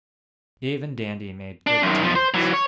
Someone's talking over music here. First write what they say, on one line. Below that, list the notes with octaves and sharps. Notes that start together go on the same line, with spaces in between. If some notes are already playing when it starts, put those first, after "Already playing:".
Dave and Dandy made good team-mates.
D4
F#2 D#3
B1 F3
C5
E3 F#3
C#5